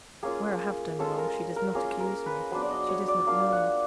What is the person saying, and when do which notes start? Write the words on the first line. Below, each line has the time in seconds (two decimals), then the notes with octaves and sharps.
Where I have done wrong, she does not accuse me--she does not know.
0.23 A#3 C#4 F4 G#4
0.99 G#3 C#4 F4 A4
1.18 A#4
1.56 A#4
1.75 A#3 C#4 F4 G#4
2.00 A#4
2.26 B4
2.51 F#3 B3 D4 C5
2.62 D5
2.70 D#5
2.89 C#5
3.08 D5
3.27 A#3 D4 F4 F5
3.52 F#5